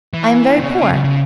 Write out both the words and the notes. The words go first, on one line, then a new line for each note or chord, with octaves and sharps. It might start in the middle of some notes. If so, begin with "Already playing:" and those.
I am very poor.
E3
C#3
B2
C#3
C#3
C#3